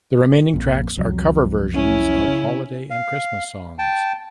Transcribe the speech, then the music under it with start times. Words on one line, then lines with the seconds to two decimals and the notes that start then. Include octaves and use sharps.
The remaining tracks are cover versions of holiday and Christmas songs.
0.54 A#1 F2 A#2
0.97 C2 F2 F#3
1.74 C#4 E4
2.27 C#3
2.90 F5
3.79 G5 A5